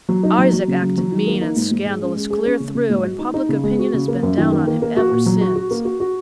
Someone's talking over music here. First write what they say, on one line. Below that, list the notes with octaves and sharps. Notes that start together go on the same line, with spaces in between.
Isaac acted mean and scandalous clear through, and public opinion has been down on him ever since.
F#3
D#4
F#3
F#3
C#3
F#3
F#3
D#3
A#3
D#4
G#2
G#2
G#3
C#4
G#3
G#4
C#4
C#3
C#3
G#2
F#4
D#4
D#4
C#3
G#3
F#4
C#3
A#3
F#2
D#3
A#3
A#3
A#3
F#4
A#2
F#3
F#4
F#4
A#3
F#4
F#4